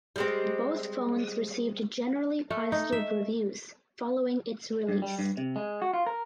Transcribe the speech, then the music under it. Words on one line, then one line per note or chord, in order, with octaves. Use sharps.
Both phones received generally positive reviews following its release.
G3 G#3 C4
A3
D#4
E5
G2
G3
G2
C3
G#3
F#4
F4
A#4